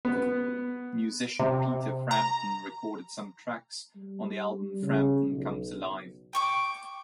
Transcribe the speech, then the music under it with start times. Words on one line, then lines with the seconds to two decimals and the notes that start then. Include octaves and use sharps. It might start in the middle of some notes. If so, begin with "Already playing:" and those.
Musician Peter Frampton recorded some tracks on the album Frampton Comes Alive!
0.05 B3
1.39 C3
2.11 A#5
3.96 G3
4.82 C#3
5.30 B1
6.33 G5 C#6 D6